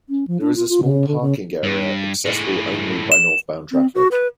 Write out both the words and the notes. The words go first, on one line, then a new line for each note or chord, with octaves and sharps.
There is a small parking area accessible only by northbound traffic.
C#4
F3
D4
F4
F4
C#3
D3
C#3
G2
A2 G#3
E7
C4
F#4
B4